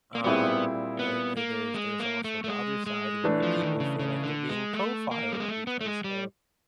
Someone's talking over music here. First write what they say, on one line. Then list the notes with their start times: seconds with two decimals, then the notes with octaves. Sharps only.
um, uh, the there's there's also the other side where people feel like they're being profiled because of
0.15 A#3
0.24 A#2 G3 B3 C4 E4 G#4
0.99 B3
1.37 A#3
1.74 G#3
2.00 A#3
2.24 A3
2.44 A3
2.48 G#3
2.86 G#3
3.24 E3 A3 D4
3.43 F3
3.62 D#3
3.80 C#3
3.99 C#3
4.24 D3
4.49 G#3
4.74 A3
5.11 A#3
5.32 G3
5.40 G#3
5.48 A3
5.67 B3
5.81 A3
5.86 G#3
6.04 G3